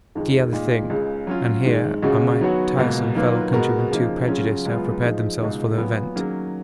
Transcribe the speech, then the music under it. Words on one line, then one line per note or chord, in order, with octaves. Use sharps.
Ski are the thing, and here are my tiresome fellow-countrymen too prejudiced to have prepared themselves for the event.
F2 D#3 G#3
A#2 G#3 D#4
C#2 C#3 G#3
F#3 C#4 F4
G#2 D#3 G#3
C#2 C#3 G#3 C#4 F#4
D#3 F#3 B3 F#4 C#5
C#2 B2 A#3
D#3 F#3 A#3 F4 B4
B2 G#3 B3 F#4 A#4
C#3 F3 A#3 D#4
C#3 F#3 C#4 F4
C#2 C#3 F#3 B3 F4
F3 G#3 D#4
C#2 B2 G#3 D#4
A#2 F#3 B3
D#3 F#3 A#3 C#4 G#4